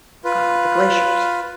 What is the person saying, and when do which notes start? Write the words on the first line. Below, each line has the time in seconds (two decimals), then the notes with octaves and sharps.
uh, the glaciers.
0.24 F4 B4